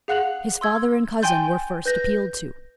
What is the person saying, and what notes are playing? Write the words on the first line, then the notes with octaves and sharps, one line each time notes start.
His father and cousin were first appealed to.
G#4 F5 F#5 F#6 F7 F#7
C6 E6 G#6
G5 G#5 C6 G6 A6
B4 G6 A#6